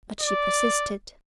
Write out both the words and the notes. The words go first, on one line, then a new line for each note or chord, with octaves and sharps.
But she persisted.
D5